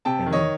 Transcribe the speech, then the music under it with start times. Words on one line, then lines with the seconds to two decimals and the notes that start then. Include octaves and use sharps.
and then
0.05 C3 G5 A5
0.26 D#3
0.33 C#5 D#5